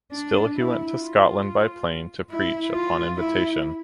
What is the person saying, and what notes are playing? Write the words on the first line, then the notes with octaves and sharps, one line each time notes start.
Still he went to Scotland by plane to preach upon invitation.
D4
E4
F4
E4
F4
E4